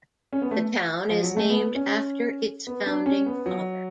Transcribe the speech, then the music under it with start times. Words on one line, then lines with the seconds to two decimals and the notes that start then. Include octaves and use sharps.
The town is named after its founding father.
0.33 C#4
0.42 B3
0.51 A3
1.10 F3
1.23 F#3
1.37 A3
1.50 B3
1.75 C#4
2.67 B3
2.86 D4
3.06 C#4
3.26 B3
3.46 F#3